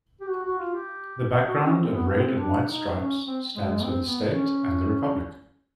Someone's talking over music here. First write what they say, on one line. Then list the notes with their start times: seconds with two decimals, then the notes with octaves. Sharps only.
The background of red and white stripes stands for the state and the republic.
0.21 G4
0.29 F#4
0.44 F#4
0.59 F4
0.74 G4
1.48 F#4
1.63 C#4
1.78 C4
1.93 B3
2.07 C4
2.15 B3
2.22 C4
2.37 D4
2.67 D#4
2.97 C#4
3.27 C4
3.56 G#3
3.71 G#3
3.81 B3
3.86 C4
4.06 B3
4.25 C#4